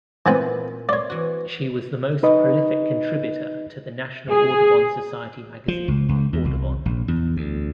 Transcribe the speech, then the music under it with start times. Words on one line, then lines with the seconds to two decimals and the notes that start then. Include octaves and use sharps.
She was the most prolific contributor to the National Audubon Society magazine "Audubon".
0.26 A#2 E3 B3 C4 B4 D#5
0.89 C4 C#5 D5
1.10 E3 F#4
2.23 D#4 B4 D#5
4.30 G#4
5.68 F3
5.88 C#2
6.09 C#2
6.33 E2
6.45 C2
6.86 A#1
7.08 E2
7.36 D2